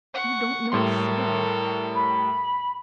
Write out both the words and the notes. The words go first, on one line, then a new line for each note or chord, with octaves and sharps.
You don't know a soul.
F#5 C#6
A2 G3 A4 A#4 C6
B5